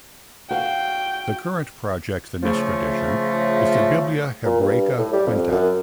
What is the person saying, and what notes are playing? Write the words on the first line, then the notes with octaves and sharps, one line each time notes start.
The current project in this tradition is the "Biblia Hebraica Quinta".
F#4 F5 G5
C#3 F3 A3
A#2
G2
A2
G3
F2
F#2